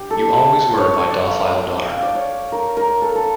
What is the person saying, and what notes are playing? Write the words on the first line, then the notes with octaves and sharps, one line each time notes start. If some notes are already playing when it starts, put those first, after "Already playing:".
You always were my docile daughter.
Already playing: G4
A4
C#5
C#5
D5
F5
G5
G5
F5
D5
C#5
A#4
A#4
A4
A4